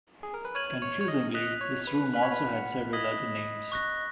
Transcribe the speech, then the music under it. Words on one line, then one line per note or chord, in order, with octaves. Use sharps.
Confusingly, this room also had several other names.
G#4
A#4
B4
C#5 F6 G#6 D#7 F#7
C#5
C#5
D#5
D#5 F#6 B6 F7
C#5
B4
B4 B5 F6 B6 F7
C#5
B4
F#5
D#5 D#6 G#6 B6 F#7
C#6 F#6 A#6